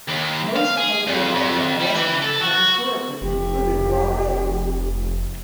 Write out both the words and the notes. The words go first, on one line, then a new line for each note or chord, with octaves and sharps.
Most homemade eggnog recipes have historically included raw eggs.
D#2
F5
G#4
F2
F2
G3
E3
A4
F#4
F1 G4